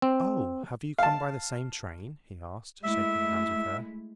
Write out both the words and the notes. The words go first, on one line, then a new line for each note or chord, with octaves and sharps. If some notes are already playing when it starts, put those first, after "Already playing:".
'Oh! have you come by the same train?' he asked, shaking hands with her.
C4
F5 A5
G#3 A3 E4 E5